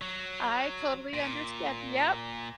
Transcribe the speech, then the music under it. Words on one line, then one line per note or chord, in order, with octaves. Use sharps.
I totally understand yep.
F#3
A#2